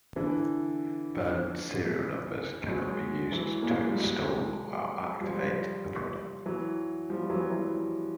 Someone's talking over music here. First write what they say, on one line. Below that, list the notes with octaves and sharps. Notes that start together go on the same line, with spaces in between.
Burned serial numbers cannot be used to install or activate the product.
D3 E3
F#3 G#3
E3 F#3
G#3 A#3
G3
F#3 G#3
F3 G3
E3 F#3
F3 G3
E3 F#3
E3 F#3